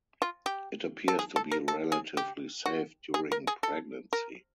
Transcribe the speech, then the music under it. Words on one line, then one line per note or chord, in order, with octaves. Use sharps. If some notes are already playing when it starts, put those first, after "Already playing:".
It appears to be relatively safe during pregnancy.
F4
G4
A4
G#4
A4
A#4
A4
G#4
G4
F#4
G#4
A#4
G#4
A4
A#4